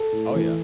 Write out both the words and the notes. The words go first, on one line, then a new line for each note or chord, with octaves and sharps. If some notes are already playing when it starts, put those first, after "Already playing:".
Oh, yeah.
Already playing: A4
A2
E3